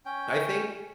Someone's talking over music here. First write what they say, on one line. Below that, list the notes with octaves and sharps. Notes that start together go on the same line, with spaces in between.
I think
C#4 G5